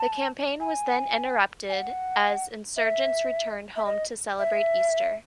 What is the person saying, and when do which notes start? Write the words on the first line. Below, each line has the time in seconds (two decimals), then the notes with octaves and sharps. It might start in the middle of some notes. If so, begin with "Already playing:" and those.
The campaign was then interrupted, as insurgents returned home to celebrate Easter.
Already playing: A5
0.60 G#5
1.69 G#5
1.73 F#5
2.77 E5
3.76 E5
3.85 D#5
4.39 E5